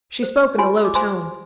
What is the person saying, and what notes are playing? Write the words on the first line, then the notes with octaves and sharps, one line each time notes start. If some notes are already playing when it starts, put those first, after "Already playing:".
She spoke in a low tone.
C5
F4 G#5 C6
D6
C5 G#5 C6